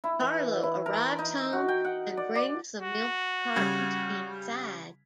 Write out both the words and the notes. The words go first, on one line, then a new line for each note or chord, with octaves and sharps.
Carlo arrives home and brings the milk cartons inside.
E4
E3
E4
A#4
D#4
F#4
G5
F#5
D5
D5
F#4
C#3 G3 G#6